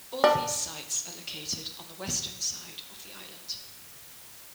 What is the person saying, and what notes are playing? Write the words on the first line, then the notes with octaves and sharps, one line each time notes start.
All these sites are located on the western side of the island.
D4